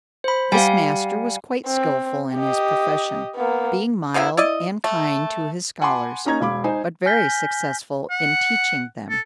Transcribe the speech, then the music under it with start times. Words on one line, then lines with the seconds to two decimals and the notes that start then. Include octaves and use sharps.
This master was quite skilful in his profession, being mild and kind to his scholars, but very successful in teaching them.
0.24 C5 B5
0.52 G3 F5 F#5 G#5
1.66 C4
2.36 G4 D#5
3.35 A#3 B3
4.14 C3 A#3 B3 E4
4.37 E4 D5 D#5
4.84 A3
5.81 F#5 G#5 A5 B5 C6 D6
6.25 A#3 C#4 D#4 A#5 G#6
6.41 E1 F5 B5 D6
6.64 D#4 C5 G#5
7.06 G#5 F6 G6 A#6 B6 G7
8.11 F#5
9.10 A4